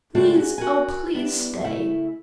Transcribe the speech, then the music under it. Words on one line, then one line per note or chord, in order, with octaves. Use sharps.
Please, oh! please stay.'
C#3 G#3 A3 C4 D4 F#4
F#4 G#4
F#4 A#4 G#5
G3 B3 D4 E4
C#3 A3 E4